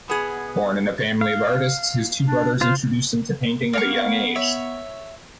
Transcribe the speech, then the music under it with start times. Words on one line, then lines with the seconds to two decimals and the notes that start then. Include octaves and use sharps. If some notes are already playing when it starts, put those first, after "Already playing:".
Born in a family of artists, his two brothers introduce him to painting at a young age.
0.08 B2 B3 G#4
1.21 F5
2.25 D4
2.61 F4 C5 F6
3.73 A#3 B3 F5 C#6
4.36 C#5 E5